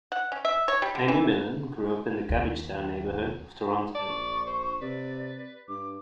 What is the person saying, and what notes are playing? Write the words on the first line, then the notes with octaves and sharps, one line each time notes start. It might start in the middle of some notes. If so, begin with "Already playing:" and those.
Amy Millan grew up in the Cabbagetown neighbourhood of Toronto.
F#5
C#4
E5
C#5
G3
D3
E3
D#2
D5 A5
A#1 C#6
C5
C3 B4 D5
G2 D6